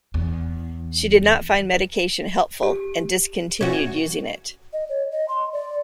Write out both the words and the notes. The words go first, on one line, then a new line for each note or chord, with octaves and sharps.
She did not find medication helpful, and discontinued using it.
E2
G4
C#4 F#4
D#5
C#5
D#5
C6
D5